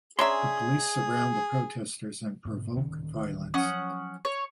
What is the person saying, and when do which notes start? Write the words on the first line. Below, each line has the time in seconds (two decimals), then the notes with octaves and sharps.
The police surround the protestors and provoke violence.
0.19 C#4 D4 G#4 E5 A#5 C6
2.45 G#2 B2 D3
2.76 D1 D#3 C#4
3.54 F3 F#3 C#4 F#5 D#6
4.25 C#5